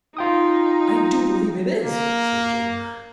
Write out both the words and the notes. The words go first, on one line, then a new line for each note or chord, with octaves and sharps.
"I do believe it is," says Jane.
D#4 F4 G5 D#6
A#3